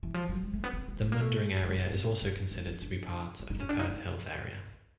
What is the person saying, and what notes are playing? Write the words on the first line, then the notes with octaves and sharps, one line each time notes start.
The Mundaring area is also considered to be part of the Perth Hills area.
E3
F3
F#3
G#3
A3
B3
C4
A#3
A3
A#3
A3
G#3
A#3
C4
E4
D#4
D#4
D#4
D4
E4
D#4
C#4
D4
D#4
D#4